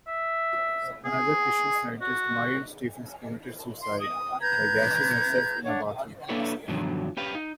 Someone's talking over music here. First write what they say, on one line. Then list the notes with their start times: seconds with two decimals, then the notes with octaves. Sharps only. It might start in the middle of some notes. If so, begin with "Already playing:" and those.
Another Christian Scientist Marion Stephens committed suicide by gassing herself in a bathroom.
0.07 E5
1.05 G#4
2.01 F#4
3.80 C6
3.98 D#6
4.40 B4 A#5 G6 G#6
5.64 D4 C#5 F#5
6.29 A#3 D4 E4 A4 B4 C#5
6.68 G2 B2 D3 D#3 F3 F#3
7.17 C#4 G4 B4 F5
7.35 D#4